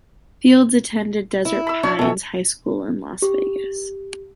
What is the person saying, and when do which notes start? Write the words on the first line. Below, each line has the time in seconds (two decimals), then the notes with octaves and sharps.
Fields attended Desert Pines High School in Las Vegas.
1.45 E4
1.67 B5 E6
1.83 D4 C#5
1.99 B2 E3 A4
3.22 G4